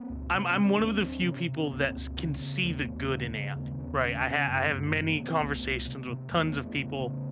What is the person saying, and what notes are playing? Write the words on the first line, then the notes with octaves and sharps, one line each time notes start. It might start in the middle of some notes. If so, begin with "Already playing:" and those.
I'm I'm one of the few people that can see the good in AI, right? I have I have many conversations with tons of people,
Already playing: A#3 C4
C#2
C3 A#3 C4
B3 C#4
C3
C4 D4
C4
D2 B3 C#4
D2 C4 D4
C3 B3 C#4
C3
B3 C#4
C#2 A#3 C4
C#2
C#3
C#3
D#2 A3 B3
D#2
C#3
C#3
D#2 A3 B3
D#2 B3 C#4
C#3 B3 C#4
C#3
F#2 C4 D4
F#2 G#3 A#3
C3 A#3 C4
G#3 A#3
C3
A#3 C4
C2 A3 B3
C2
C3
C3
E2 G#3 A#3
A3 B3
E2
A3 B3
C#3 A3 B3
C#3